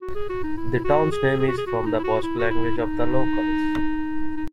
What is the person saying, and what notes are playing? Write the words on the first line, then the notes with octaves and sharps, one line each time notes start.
The town's name is from the Basque language of the locals.
F#4
G#4
F#4
D#4
E4
F#4
G#4
G#4
F#4
G#4
F#4
D#4
E4
F#4
E4
F#4
E4
D#4
D#4